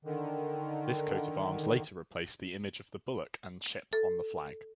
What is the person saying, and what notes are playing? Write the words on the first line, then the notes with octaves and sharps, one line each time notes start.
This coat-of-arms later replaced the image of the bullock and ship on the flag.
D3 D#3
A4